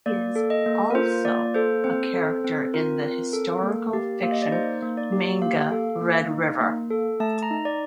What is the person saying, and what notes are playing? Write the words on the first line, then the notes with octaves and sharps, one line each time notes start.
He is also a character in the historical fiction manga "Red River".
A#3 D5
A4
D#5
A#3
A#4
F4 C5
A#3 D5
A4 C5
C4 C5
A4
C4
F4 A#4
C4
A4
A#3
G4
A#3 F5
D#5
D5
D#4 C5
A#3
D5
G4
A#3 F5
A4
A#3
D#4
A#3
A4
A3 A5
A#5
D#4
D5